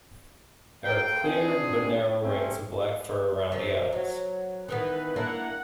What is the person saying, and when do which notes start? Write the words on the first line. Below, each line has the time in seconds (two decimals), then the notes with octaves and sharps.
There are clear, but narrow, rings of black fur around the eyes.
0.83 A4 A#4 F5 G5
1.24 C4 D4 D#4 F4 G#4
2.22 A3 C4 C#4
3.52 F#2 F3
3.92 F#3
4.68 D#3 E3 B3 B4
5.16 A#3 D4 E4 F#5